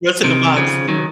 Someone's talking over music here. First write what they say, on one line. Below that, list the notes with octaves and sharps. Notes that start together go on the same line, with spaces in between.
"What's in the box?" like a
C3 D#3
C#3 F3
D#3 F#3